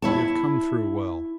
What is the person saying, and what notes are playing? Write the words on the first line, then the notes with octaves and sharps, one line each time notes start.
We have come through well.
E4 C#5 A5